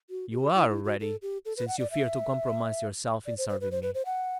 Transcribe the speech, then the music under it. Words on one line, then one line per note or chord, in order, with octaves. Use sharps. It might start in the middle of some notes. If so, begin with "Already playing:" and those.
"You are already, since you fear to compromise yourself in serving me."
F#4
G4
E4
E4
F#4
A4
G4
A4
B4
F#5
D5
E5
D5
C5
C5
B4
C5
B4
C5
F#5